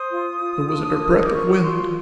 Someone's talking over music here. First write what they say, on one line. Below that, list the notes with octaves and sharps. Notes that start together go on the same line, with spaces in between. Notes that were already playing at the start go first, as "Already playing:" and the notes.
There wasn't a breath of wind.
Already playing: C5 D#6
F4
F4
D4
A#4
D6
F4 C#6
F4 C6